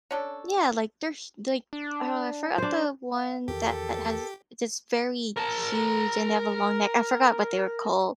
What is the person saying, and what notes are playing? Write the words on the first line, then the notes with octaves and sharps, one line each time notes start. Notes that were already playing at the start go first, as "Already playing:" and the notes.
Yeah, like there's, like, uh, I forgot the one that has this very huge and they have a long neck, I forgot what they were called.
C#4 D4 A4
D4
D4 C5
F5
E2 D#3 F3 G4 A4 A#4
A#4 A5